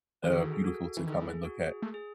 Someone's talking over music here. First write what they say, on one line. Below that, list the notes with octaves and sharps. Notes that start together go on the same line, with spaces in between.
uh, beautiful to come and look at.
E3 G#4
D#3 F#4 A4
G#4
F#4 A4
E3
D#3 A4
G#4
E3
G#4
F#4
G#4
A3
G#4